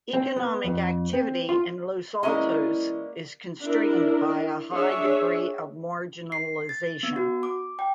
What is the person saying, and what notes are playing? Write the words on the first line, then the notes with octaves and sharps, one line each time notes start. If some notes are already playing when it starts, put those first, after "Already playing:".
Economic activity in Los Altos is constrained by a high degree of marginalization.
C4
B3
F2
C4
F4
E3 G#3 A#3 C#4 E4 D5 D#5 A#5
D4 E4 A#4
D4 G#4 C#5 E5
C7
A6
B3
F#4
D6
G5